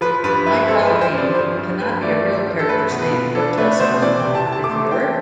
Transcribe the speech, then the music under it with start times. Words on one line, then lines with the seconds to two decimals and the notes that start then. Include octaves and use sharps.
"Mike Fallopian cannot be a real character's name," protests one reviewer.
0.01 F3 B4
0.24 G2 B4
0.46 E4 B4
0.68 C4 A4
0.85 B4
0.91 F3
1.01 C5
1.13 G2 D5
1.35 F3 C5
1.57 G2
1.80 G2 B4
2.02 A3 D5
2.24 F3
2.47 G2
2.59 A4
2.69 A3 B4
2.90 B2
3.02 B4
3.12 F4
3.35 D4 A4
3.58 A3 B4
3.80 B2 C5
4.02 E3 D5
4.19 G5
4.25 C3
4.35 A5
4.46 C3
4.52 A5
4.64 D6
4.68 A3 C6
4.91 E3 G5